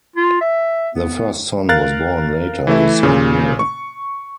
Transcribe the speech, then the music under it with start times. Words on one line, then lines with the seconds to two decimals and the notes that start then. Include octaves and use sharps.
Their first son was born later the same year.
0.16 F4
0.41 E5
0.95 B3
1.69 A#4 F5 F#6 A6
2.67 E3 A3 E4
3.03 A#2 C#3
3.59 C#6